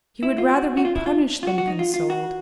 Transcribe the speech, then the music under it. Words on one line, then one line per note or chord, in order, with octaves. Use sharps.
He would rather be punished than consoled.
E4
F4
F#4
F#4
F4
E4
F4
F4
F#4
F#4
D#4
F4
F4
F#4